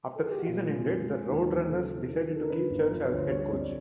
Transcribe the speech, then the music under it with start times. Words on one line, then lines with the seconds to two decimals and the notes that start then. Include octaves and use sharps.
After the season ended, the RoadRunners decided to keep Church as head coach.
0.16 A4
0.24 G#4
0.31 G4
0.39 F#4
0.46 A#2 F4
0.67 G#3
0.87 F2
1.08 G#3
1.28 D#2 D#4
1.48 D#2
1.68 C#3 A4
1.89 E3
2.09 D#3
2.30 D#3
2.35 A4
2.42 A#4
2.50 D3 B4
2.70 G1
2.79 A#4
2.91 F3 B4
3.04 C#5
3.11 D2
3.18 C5
3.31 G3 C#5
3.52 F2
3.58 D5